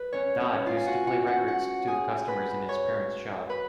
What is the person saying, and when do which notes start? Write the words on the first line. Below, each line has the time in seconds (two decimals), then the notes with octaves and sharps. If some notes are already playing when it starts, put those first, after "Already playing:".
Dodd used to play records to the customers in his parents' shop.
Already playing: B4
0.13 C#4 C#5
0.40 C#4 C#5
0.66 F4 F5
0.77 G#5
0.86 F#4 F#5
1.07 F#4 F#5
1.27 F#4 F#5
1.48 F#4 F#5
1.88 G#4 G#5
2.28 B4 B5
2.69 C#5 C#6
3.49 B4 B5